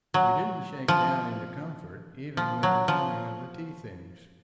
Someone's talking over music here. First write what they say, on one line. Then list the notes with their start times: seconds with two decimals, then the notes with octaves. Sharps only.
We didn't shake down into comfort even with the coming of the tea-things.
0.14 F#3
0.88 F3
2.37 F3
2.63 F#3
2.88 F3